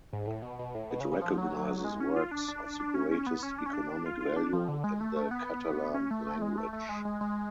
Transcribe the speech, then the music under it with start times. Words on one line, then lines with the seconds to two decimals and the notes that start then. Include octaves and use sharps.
It recognizes works of the greatest economic value in the Catalan language.
0.13 G#2
0.27 A2
0.42 B2
0.59 B2
0.75 A2
0.91 B2
1.01 C#3
1.12 C#3
1.22 F3
1.38 F#3
1.84 G#3
2.00 C#4
2.16 F4
2.31 D4
2.48 D4
2.80 D4
2.94 C#4
3.11 C#4
3.27 B3
3.43 C#4
3.58 D4
3.66 C#4
3.73 D4
4.06 F4
4.21 F4
4.36 D4
4.53 F3
4.68 D3
4.84 G#3
5.01 A3
5.16 A3
5.31 B3
5.94 C#4
6.11 A3
6.27 A3
6.42 G#3
6.58 A3
6.73 A3
6.89 G#3
7.05 G#3
7.21 G#3